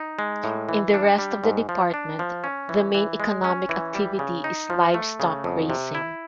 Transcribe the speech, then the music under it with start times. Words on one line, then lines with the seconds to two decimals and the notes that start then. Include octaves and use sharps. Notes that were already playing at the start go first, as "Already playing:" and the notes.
In the rest of the department, the main economic activity is livestock raising.
Already playing: D#4
0.19 G#3
0.44 A2
0.69 E3
0.94 D4
1.18 G3
1.44 G#2
1.69 F3
1.94 D4
2.19 F3
2.44 C#4
2.69 E3
2.94 E3
3.20 G#3
3.44 C#4
3.69 E3
3.94 G3
4.19 C#3
4.44 D#4
4.70 F3
4.94 A3
5.20 C#3
5.44 F2
5.70 C3
5.95 E4